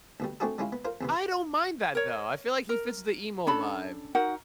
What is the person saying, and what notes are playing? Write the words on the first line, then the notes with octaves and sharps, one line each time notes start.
I don't mind that, though. I feel like he fits the emo vibe.
D2 B2 G3
A3 C4 D4 F#4 G#4 A4
G3 G#3 C#4 E4 F4
B3
F4 A#4 C5
E2 C3 B3
A#4 C#5
A#4
C#4 D4 A4 B5
D#4 F#4 A#4 F#5